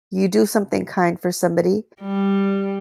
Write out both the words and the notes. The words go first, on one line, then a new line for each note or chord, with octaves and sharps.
you do something kind for somebody
G3